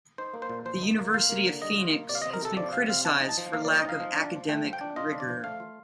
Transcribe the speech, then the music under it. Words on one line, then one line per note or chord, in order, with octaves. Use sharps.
The University of Phoenix has been criticized for lack of academic rigor.
D#4 C5
A#3
C5
A#2
F3 C5
D#4
A#3
F4 F5
A#3
D3
G3 D#5
F4
A#3
C3 D5
F5
D#5
C4
A#4
C3 A4
F3 D5
C3 F5
C4 F5
F3 A5
D#4
A5
F3
A#3 F5
D5
F3
D#5
D#4 F5
F3
D4
F3
A3 G5
F3
G5
D4
F4 D#5
D4
D5
F3
A3 F5
F4